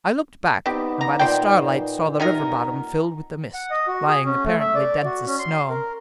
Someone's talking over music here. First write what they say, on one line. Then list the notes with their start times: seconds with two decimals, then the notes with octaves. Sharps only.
I looked back, and by the starlight saw the river bottom filled with the mist, lying apparently dense as snow.
0.66 B3 C4 D#4 G4 D6
1.01 A#5
1.19 A#2 D#3 C5 D5 G5
2.20 C3 D#4 A#4 F#5
3.54 F#5
3.71 D#5
3.87 F#4
4.08 G#4
4.25 C#4
4.45 A3
4.60 E5
4.75 D5
5.05 F#4
5.27 C#4
5.39 C6
5.70 A#4